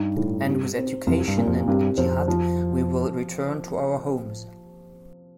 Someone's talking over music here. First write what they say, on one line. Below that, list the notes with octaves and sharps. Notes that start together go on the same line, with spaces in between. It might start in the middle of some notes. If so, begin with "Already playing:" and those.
And with education and Jihad we will return to our homes!
Already playing: G2 D#4
A2
C3
C4
C2 F2
G2
A#2
F2
G2 C3
F2 C4
F3